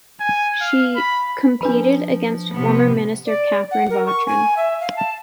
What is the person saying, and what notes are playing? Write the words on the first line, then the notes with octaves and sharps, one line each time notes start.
She competed against former minister Catherine Vautrin.
G#5
F5
B5
F3 D4 B4 B5
C3 B3
D5
F#5
A#4
C#6
G#5
E5
F5
A5